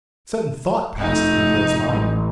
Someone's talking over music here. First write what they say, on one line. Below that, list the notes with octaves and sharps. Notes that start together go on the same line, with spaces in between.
A sudden thought passed through Joe's mind.
F1 A3 D#4
A1